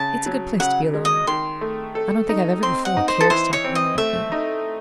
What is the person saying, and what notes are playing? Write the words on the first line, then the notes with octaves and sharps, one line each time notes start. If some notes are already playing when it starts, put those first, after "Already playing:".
"It's a good place to be alone in--I don't think I've ever before cared to talk with any one here."
Already playing: C#3 A5
F#3
C#3 F#5
G#3
D#5
D#3 C6
A3
A4
D#4
C4 C6
F#5
D#4
C5
A4
E3 C5
C#5
C4
D#5
A3 E5
D#4